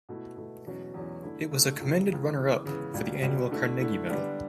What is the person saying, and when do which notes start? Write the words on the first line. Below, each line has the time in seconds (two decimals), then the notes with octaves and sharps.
It was a commended runner-up for the annual Carnegie Medal.
0.09 B2 A3 E4
0.37 B2 A3 E4
0.66 E2 B2 F#3 C#4
0.94 E2 B2 F#3 C#4
1.23 D3 A3 E4
1.51 D3 A3 E4
1.80 C#2 C#3 E3
2.08 C#2 C#3 E3
2.37 C#3 E3 B3
2.65 C#3 E3 B3
2.94 C#2 B2 G3
3.22 C#2 B2 G3
3.51 D3 A3 E4
3.80 D3 A3 E4
4.08 D3 G3 B3 D4